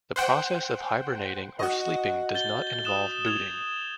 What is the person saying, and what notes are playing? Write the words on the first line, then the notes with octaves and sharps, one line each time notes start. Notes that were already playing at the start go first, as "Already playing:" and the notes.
The process of hibernating or sleeping does not involve booting.
C5 F#5 G5
F#4 D#5
G6 A6 G7
D#6 F#6 E7
G#6 F7